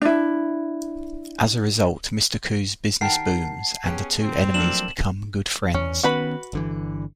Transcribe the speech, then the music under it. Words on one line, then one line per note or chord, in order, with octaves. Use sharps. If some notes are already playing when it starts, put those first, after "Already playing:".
As a result, Mr. Khoo's business booms, and the two enemies become good friends.
D4 E4
D#3 G4 F#5 G5 A5 C7
B3 C#4 G4 G#4
C4
F3 F#3 A3 A#3 D4 E7 F#7
E2 C#4
D#3 B3 C#4 F#4 B4 B5
G1 D3 E3